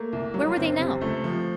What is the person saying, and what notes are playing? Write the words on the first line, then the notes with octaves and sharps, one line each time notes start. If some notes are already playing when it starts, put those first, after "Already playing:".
Where were they now?
Already playing: A3 A#3
C2
F#3
F#1 C4
C3
C#2 A3
F3